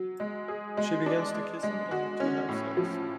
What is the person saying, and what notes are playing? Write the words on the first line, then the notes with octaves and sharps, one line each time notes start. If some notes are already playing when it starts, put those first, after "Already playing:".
She begins to kiss him, and the two have sex.
Already playing: F#3
G#3
G#4
G#3
D4
G#3
G#3
F#4
C#4
A2
F3